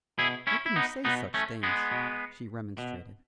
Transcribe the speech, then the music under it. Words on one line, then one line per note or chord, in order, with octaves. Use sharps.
"How can you say such things!" she remonstrated.
B2 E4 G#4
C#4 E4
E4
B3 D#4
B2 B3 D#4
A3 C#4
G#3 B3
B2
B2